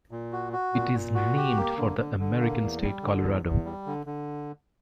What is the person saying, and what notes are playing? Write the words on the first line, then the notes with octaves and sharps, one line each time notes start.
It is named for the American state, Colorado.
A#2
F#4
F#4
A#2
A#2
F#4
G4
A#3
D3
D3
D3
A#3
E2
G3
D3
E2
E2
G3
D3
D3